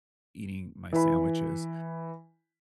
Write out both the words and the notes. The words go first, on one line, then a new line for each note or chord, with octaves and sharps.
eating my sandwiches?
E3 B5